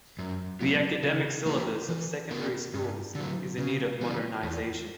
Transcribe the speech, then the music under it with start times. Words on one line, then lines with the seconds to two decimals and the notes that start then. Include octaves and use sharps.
The academic syllabus of secondary schools is in need of modernization.
0.19 F#2
0.61 C#3 F#3 B3
1.03 C#3
1.46 E3 A#3 E4 G4
1.88 E3
2.31 B3 F#4 A#4
2.74 G2
3.15 D3
3.20 F#3
3.58 C#3
4.01 E3 G3 B3
4.43 E2